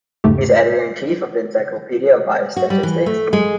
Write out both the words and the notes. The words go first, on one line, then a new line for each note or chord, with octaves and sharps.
He is editor-in-chief of the "Encyclopedia of Biostatistics".
E2 G#2 C#3 A3 G4
F#4
G3
E3
A3
G#3